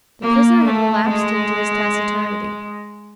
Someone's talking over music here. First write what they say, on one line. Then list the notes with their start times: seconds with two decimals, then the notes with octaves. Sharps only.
The prisoner had relapsed into his taciturnity.
0.22 A#3
0.64 A3
1.08 G#3